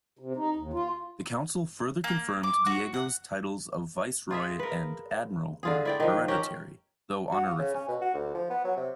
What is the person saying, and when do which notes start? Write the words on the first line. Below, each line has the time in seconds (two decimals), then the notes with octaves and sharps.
The council further confirmed Diego's titles of Viceroy and admiral were hereditary, though honorific.
0.19 C3
0.36 D#4
0.56 D#2
0.73 F4
2.04 A#3
2.43 D6
2.66 F#4
2.94 F#5
4.31 F4 G#4 E5
4.59 A#4 B4
5.63 D3 F4 G#4
5.85 E4 D5 G5
6.00 D#3 F3
6.28 C#4 G4 A#4
7.32 F#4
7.46 F4
7.59 C#3
7.75 C#4
7.88 B2
8.01 F#4
8.14 D2
8.34 F3
8.50 B3
8.64 F#3
8.77 C3